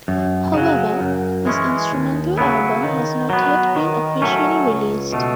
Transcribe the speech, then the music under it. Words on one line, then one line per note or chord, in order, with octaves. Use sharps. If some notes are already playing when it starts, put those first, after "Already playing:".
However, this instrumental album has not yet been officially released.
F#2
C#3 F#3
F#2
E3 G#3 C#4
D#2
C#3 F#3 B3 E4
D#3
F#3 B3
D#3
F#3 A3 C#4
C#2
B2 A3